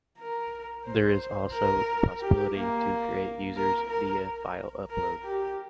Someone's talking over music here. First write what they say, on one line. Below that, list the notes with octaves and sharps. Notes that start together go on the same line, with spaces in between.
There is also the possibility to create users via file upload.
A#4
C5
A#4
G4
A#3
A#4
A#4
A#4
G4